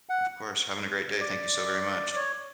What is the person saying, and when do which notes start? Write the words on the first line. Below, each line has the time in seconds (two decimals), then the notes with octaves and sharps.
Of course having a great day thank you so very much.
0.09 F#5
1.21 D5
2.15 C#5